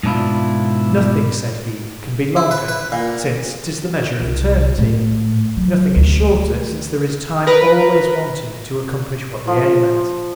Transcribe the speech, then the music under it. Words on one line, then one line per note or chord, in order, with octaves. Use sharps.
Nothing, said he, can be longer, since 'tis the Measure of Eternity; Nothing is shorter, since there is Time always wanting to accomplish what we aim at.
G#2 B2 D4 E4 F4
E4
B4
B4
A#2
C2
A2
F#3
D2
A#4 B4 A#5
F3